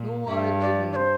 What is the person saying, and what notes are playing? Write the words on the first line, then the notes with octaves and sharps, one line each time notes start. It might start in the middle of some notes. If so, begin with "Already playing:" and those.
No, I didn't.
Already playing: A#2
G2 E5
D5
D5
C5